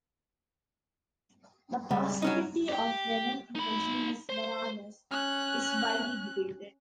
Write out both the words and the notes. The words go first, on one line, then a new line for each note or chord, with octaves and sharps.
The possibility of venom in the genus "Varanus" is widely debated.
C#2 G3
F#3 C#4 D#4
G4 G5
D#4 B5
C5
C#4 F#6